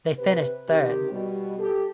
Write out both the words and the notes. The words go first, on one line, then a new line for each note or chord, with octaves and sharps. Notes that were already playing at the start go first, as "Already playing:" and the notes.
They finished third.
C3 B4
C3 D#3 G4
B2 G3
G4 A4